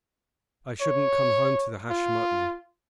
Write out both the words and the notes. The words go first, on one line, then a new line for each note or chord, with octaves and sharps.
I shouldn't come home to the hashed mutton.
C#5
F4